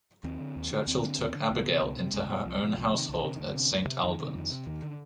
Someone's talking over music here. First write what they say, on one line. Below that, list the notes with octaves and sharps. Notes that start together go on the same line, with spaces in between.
Churchill took Abigail into her own household at Saint Albans.
D#2 C4
D3
D#2
D3
D#2 C4
D3
D#2
D3
C2 B3
C3
C2
C3
G3
C2 G#3
B2 G3
C2 F3
G3
B2 F3
C2
C3
D#3
C2 D3
C3
D#3
D2 D3
C3
D2
C3
F2 D#3
C3
F2
C3
D#2 D#3
D3